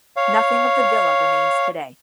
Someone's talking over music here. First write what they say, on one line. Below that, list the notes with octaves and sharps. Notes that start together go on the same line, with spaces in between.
Nothing of the villa remains today.
C#5 F5